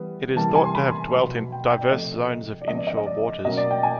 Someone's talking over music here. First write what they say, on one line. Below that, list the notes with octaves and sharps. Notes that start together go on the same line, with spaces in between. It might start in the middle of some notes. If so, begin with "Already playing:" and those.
It is thought to have dwelt in diverse zones of inshore waters.
Already playing: E3 G3 B3
C3 E3 G3 A#3 A5
G#5
C6
B5
B2 F#3 B3
G5
G5
D5
C3 F3 A3 C4 D#5
D5
C#3 F3 G#3 B3 D#5
D5
D#5
D#5
D5
B2 F#3 A#3 C#4 D#5
D5
G5
G#5